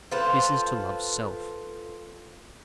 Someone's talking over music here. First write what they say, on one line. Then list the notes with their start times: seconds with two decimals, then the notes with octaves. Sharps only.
This is to love self.
0.11 F4 A4 B4 C5